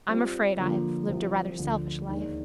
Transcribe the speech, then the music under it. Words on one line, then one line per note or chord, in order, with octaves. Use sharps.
I'm afraid I've lived a rather selfish life.
G3 C4 F4
D3 F3 A#3 F4
C2 C3 F3 C4 G4
D2 D3 F3
D#2 D#3 G#3 D4